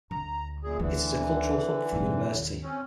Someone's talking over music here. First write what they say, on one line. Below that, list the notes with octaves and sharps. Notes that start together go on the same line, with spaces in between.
It is a cultural hub for the university.
D2 A#5
F#2 A#2 G#4
D2 D3 E3
F2 C3
D#2
C4 C#4